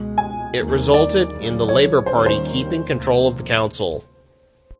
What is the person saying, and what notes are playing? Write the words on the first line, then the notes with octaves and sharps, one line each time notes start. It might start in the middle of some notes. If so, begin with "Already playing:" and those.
It resulted in the Labour Party keeping control of the council.
Already playing: C#2 B2 G#3
G#5
D#2 D#3 G3 A#3
D5
D2 C#3 F#3
C#5
D#2 D#3 G3 A#3 C#4 C5
C5
D2 C3 F3 A#3